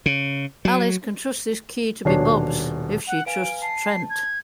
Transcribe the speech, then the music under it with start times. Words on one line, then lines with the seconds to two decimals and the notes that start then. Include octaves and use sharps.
Alice can trust this key to be Bob's if she trusts Trent.
0.06 C#3
0.65 F#3
2.05 D#1 B2 D4 C#5 C7
3.07 F#5
3.26 B4 F5 G#5 D7
3.62 A5 C7
4.10 G#6